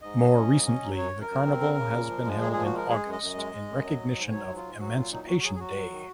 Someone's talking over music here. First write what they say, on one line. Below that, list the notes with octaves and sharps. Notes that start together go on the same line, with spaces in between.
More recently the carnival has been held in August in recognition of Emancipation Day.
G#2 D#5
F#3
C#4
G#2
C#4
F#3
F#2 C#5
F#2
A#4
F#2
C4
C#3
C#3
A#2
F3
G#3
A#2 G#4
F3 G#4
F#4
G#3 A#4
G#3 G#4
F#2
D#5
F#2
G#3
G#3
F#2
F#3
G#2
G#2
F#3 C#5
G#2
F4
G#2
F#3 F#4
A#2 F4
F#3 D#4
F#3 F#4
F#4
F#3 G#4
G#4
F#3 F#4
F#3
D#3